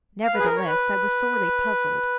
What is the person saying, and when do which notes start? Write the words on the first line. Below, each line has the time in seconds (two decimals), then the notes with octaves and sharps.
Nevertheless, I was sorely puzzled.
0.24 F5
0.34 B4
0.40 G#4
0.45 A#4
0.56 C#5
0.67 B4